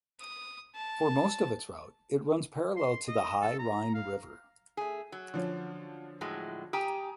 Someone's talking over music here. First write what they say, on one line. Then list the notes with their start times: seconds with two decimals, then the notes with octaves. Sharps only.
For most of its route it runs parallel to the High Rhine river.
0.20 D#6
0.75 A5
2.76 C6
3.08 D#5
3.42 A4
3.59 A#5
3.94 F5
4.77 A3 G#4
5.12 F#3
5.34 D3 F3 C#4
6.21 A2 F#3 G#3
6.73 G4 G#5 A#5 D#6